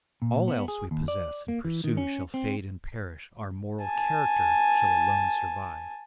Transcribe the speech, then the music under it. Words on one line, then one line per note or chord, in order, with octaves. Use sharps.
All else we possess and pursue shall fade and perish, our moral character shall alone survive.
A#2
B3
G#4
D#2
D5
A#3
E3
D#3
C#4
C4
G#5 A5